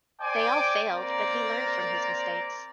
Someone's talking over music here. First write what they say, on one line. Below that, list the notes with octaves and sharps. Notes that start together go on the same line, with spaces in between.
They all failed, but he learned from his mistakes.
C5 D5 G5 G#5 D6
A#3 C4 D5 A#5